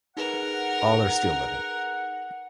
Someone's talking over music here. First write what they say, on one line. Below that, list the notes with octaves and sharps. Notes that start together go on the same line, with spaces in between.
All are still living.
D#4 G#4 A#4 B4 F#5